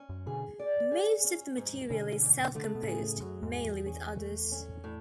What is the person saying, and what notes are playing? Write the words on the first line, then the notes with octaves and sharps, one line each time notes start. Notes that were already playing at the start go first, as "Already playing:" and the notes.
Most of the material is self-composed, mainly with others.
Already playing: C#4
F#2
B2 D3 G#4
D5
G#4
C#4
G#2
B2 D3 C#4
G#2
D3 A3
C#3
B2
A2 C#3 G#4
F#2 F#3
E2 G#2
G#4
E2
C#4
A3
C#4
A2